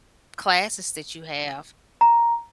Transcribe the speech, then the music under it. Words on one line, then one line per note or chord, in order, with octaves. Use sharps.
classes that you have."
A#5